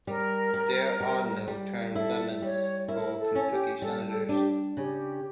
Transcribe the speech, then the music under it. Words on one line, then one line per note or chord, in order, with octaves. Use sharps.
There are no term limits for Kentucky Senators.
G3 A#4
G3
G3
G3
E4 A4
G3 C#5
E4 A#4
A4
C#4
G4
G3 A4
A4
D4 G4
C#3 G4